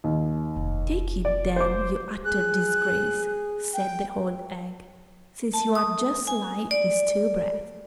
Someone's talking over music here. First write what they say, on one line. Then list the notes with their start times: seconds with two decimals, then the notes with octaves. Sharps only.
'Take it, then, you utter disgrace!' said the old hag, 'since you are just like these two brats.'
0.04 D#2
0.56 F1
1.25 D5
1.56 C5 D6
2.25 G#4 F#6
3.73 G5
5.54 A5
5.75 D#6
6.27 G#5
6.71 D5